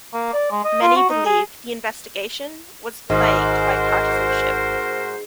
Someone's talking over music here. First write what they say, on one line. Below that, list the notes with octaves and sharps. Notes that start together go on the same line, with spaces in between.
Many believed the investigation was plagued by partisanship.
A#3
D5
G#3
D#5
F4
F#4
D#4
G#4
G#1 G#2 F#4 A#4 C5